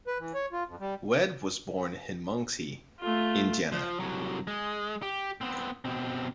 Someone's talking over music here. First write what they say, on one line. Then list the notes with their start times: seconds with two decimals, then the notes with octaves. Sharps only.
Wead was born in Muncie, Indiana.
0.07 B4
0.19 E3
0.34 C#5
0.52 F4
0.68 F2
0.80 G3
3.00 A3 F4
3.72 F3
3.99 C2 F#3
4.47 G#3
5.02 G4
5.41 B3 C4
5.85 B2 C4